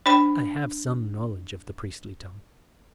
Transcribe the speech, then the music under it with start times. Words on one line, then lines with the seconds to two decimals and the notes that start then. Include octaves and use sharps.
"I have some knowledge of the priestly tongue."
0.06 D4 C5 G5 B5